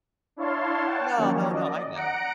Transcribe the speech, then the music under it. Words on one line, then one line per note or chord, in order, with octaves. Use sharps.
No, no, no, I know.
D4 E4 C#5 F5 A5 C6
C#5 F#5 G5 A5
D#3 F3 F#3 A#3 C#4
D5 D#5
F#5 A#5 F#6 A#6 C#7 D7